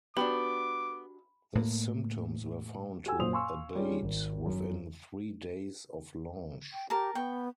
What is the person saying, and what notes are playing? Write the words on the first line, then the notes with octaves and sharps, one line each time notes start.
The symptoms were found to abate within three days of launch.
B3 D4 F#4 G4 B5 D6
A2 A#3
F#4 G4 A4 G#5 E6
F#2 A#2 A#3 C5 D#6 F7
F5 G#5 C6 C#6 E6
G3 C#4 F4 G#4
G#1
F#2
G5
G4 A#4 A5
B3 G5 C#6